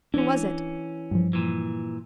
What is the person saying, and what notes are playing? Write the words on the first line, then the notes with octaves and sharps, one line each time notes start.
"Who was it?"
E3 C#4 D4
G2 F3
A#2 E3